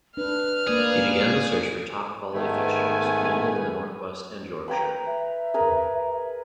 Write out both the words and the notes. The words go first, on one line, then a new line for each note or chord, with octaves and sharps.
He began the search for top quality fixtures, mainly in the Northwest and Yorkshire.
D4 B4 F6
A#3 G#4 D5
G#2 D#3 A3 B3 G#5
B4 G5 A#5
E5
G#4 A#4 B4